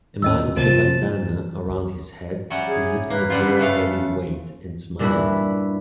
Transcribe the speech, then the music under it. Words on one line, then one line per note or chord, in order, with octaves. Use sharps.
A man with a bandanna around his head is lifting a very heavy weight and smiling.
D#2 G#2 C#4 D#5 E6
C3 A#3 F4 C5 A5
F#3 G3 C#4 E5
G#4
A#3 B4
D3 G3 C#4 F4
C#3 A3 F5
G2 A#2 D4 E4 F#4 B5